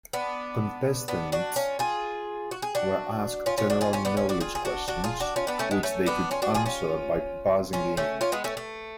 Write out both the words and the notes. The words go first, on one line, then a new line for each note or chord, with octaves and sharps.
Contestants were asked general knowledge questions, which they could answer by buzzing in.
B3 D4
B3 D4
D4 F#4
C#4 F4
F4 G#4
F#4
G#4
D4 F#4
C#4 F4
C#4 F4
D4 F#4
F4 G#4
C#4 F4
B3 D4
C#4 F4
D4 F#4
F4 G#4
G#4
D4 F#4
D4 F#4
F4 G#4
D4 F#4
C#4 F4
B3 D4
A3 C#4
G#3 B3
A3 C#4
B3 D4
C#4 F4
D4 F#4
F4 G#4
C#4 F4
C#4 F4
A3 C#4
C#4 F4
G#3 B3
A3 C#4
A3